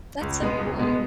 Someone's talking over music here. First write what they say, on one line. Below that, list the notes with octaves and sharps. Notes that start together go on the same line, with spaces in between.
That's so cool.
C#2
B2 G#3 B3
C#2
B2 G#3 B3